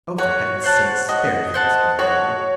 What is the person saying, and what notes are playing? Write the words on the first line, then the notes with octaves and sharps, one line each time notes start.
'Oh, for Heaven's sake, spare me!' exclaimed Emily.
F#4 C#5
C5 F#5 A5
F#4 D#5
C5 F#5 A5
F#4 C#5